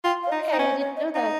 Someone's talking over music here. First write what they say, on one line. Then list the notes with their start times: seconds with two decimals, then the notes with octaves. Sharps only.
Okay, I didn't know that.
0.04 F4 G5
0.23 F5
0.32 D#4
0.42 D#5
0.53 D#4
0.59 C#4 D#5
0.71 C5
0.79 C#5
0.97 D#5
1.15 D#4 F5